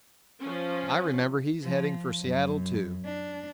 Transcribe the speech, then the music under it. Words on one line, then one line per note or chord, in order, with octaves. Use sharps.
I remember; he's headed for Seattle, too.
F3 C#4
F3
F#2
D4